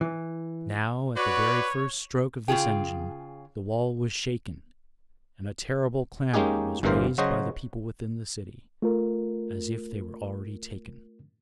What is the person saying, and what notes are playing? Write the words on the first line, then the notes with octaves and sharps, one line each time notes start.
Now, at the very first stroke of this engine, the wall was shaken, and a terrible clamor was raised by the people within the city, as if they were already taken.
E3
F#4 B4 C#5 D5
C#3 F4 G#4 G5
G#3 A#3 C#4 D#4 G4 G#4
G1 G2 E3 A#3 A#4 C5
C#3 F#3 F#4 C5 D#5
A3 F4 A#4